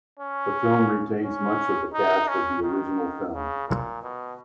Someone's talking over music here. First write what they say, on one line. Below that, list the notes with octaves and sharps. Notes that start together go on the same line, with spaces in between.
The film retains much of the cast of the original film.
C#4
C#4
D#4
C#4
D#3
C#3
A#2
B2